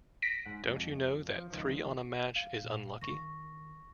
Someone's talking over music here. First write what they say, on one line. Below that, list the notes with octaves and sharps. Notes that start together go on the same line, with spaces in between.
Don't you know that three on a match is unlucky?
A#6 B6 D7
G#2 F#5
F2 G#3
F3
C#2 D#3 F3
E4 F5
A#2
D#3 C#6 A#6